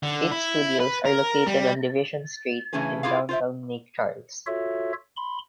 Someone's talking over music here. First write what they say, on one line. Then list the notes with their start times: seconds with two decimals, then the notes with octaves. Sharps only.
Its studios are located on Division Street in downtown Lake Charles.
0.03 D3
0.31 E4
0.80 B4
1.05 A#4
1.46 G3
2.73 C#3 E3 A3 C#4 G#4 B4
3.03 E4 F4 G4 G#4 B4 F5
3.29 F4 C5 E5
4.47 F4 F#4 A4 C#5 E5
5.17 B5 C6